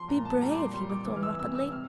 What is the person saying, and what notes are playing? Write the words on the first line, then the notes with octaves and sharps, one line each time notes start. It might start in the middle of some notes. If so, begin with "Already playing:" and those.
'Be brave,' he went on rapidly.
Already playing: F3 C6
A#2 A#5
A5
G3 A#5
D6
C6
G3 C6
D6
E3 D6
F6
E6
C3 E6
E6
C3 F6